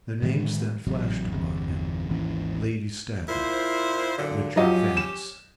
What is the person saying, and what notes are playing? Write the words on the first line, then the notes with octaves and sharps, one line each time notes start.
The names then flashed upon him--Lady Statham--Richard Vance.
A2 D#3 F3 G#3
A1 C3 F#3
G1 E2 C3
G#1 D#2 E3 C#4
A#2 E4 C5
F#2 A#2 D3
F3 F#3 C#4 G4 D#5
E7